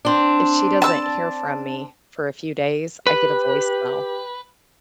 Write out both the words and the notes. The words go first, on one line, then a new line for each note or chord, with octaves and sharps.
if she doesn't hear from me for a few days, I get a voicemail,
C4 D4
A5 E6
G4 B4